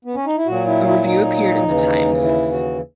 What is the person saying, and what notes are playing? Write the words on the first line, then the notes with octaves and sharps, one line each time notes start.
A review appeared in "The Times".
B3
C#4
D#4
E4
A#2 F#3 F#4
E4
E4
D#4
D#2 C#3 E3
E4
F#4